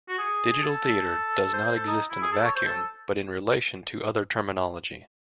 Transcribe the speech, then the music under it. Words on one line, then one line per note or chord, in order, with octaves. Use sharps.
Digital theatre does not exist in a vacuum but in relation to other terminology.
F#4
G#4
A4
C5
C5
A4
D#4
E4
G#4
A4
C#5
C5
A4